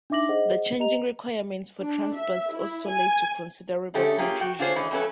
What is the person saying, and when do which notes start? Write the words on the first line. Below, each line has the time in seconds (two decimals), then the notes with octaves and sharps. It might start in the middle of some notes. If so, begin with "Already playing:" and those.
The changing requirements for Transbus also led to considerable confusion.
0.10 D4 D#4 E5 D6 A#6 F#7
0.29 G#4 C5 D#5 F#5
0.80 G4 D#5 A#5 F7
1.81 D4
2.16 E5
2.52 E4
2.88 G#5
3.94 D3 G#3 A3 C#4 G4 A4
4.18 A#3 C#4 F4 G4 G#4
4.40 F#4 G5
4.59 D4 F4 F#4 G#4 C5 C#5
4.76 E3 G#3 C#4
4.91 F2 A3 C#4 A4 B4